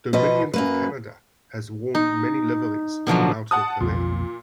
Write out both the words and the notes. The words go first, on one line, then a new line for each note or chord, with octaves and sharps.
"Dominion of Canada" has worn many liveries throughout her career.
B2 F3 B4 D#5
F#2 A#3 B4
D#4
B2 D3 F3 F#3
F#5 A5 D#6
B1 F2 A#2